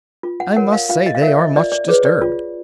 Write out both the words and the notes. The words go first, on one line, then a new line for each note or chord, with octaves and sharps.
"I must say they are much disturbed."
F4
F#5
A#4 C#5 F#5
F5
F4 F5
D#5
F5
A#4 E5
C#5
D#5
F4 D5
D5
G#4 B4 C#5
D5
F4